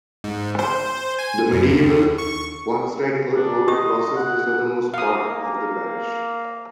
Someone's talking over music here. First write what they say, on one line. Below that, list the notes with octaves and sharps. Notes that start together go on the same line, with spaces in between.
The medieval Wansdyke earthwork crosses the southernmost part of the parish.
G#2
C5
G#5
F#2
D#2
C#6
D4
G4 D#5 D#6
F#5
A#3 F5 D#6